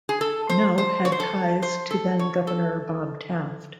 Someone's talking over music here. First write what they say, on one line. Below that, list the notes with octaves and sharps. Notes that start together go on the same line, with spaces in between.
Noe had ties to then Governor Bob Taft.
G#4
A4
C5
C5
C#5
C5
A4
C5
A4
C#5
A4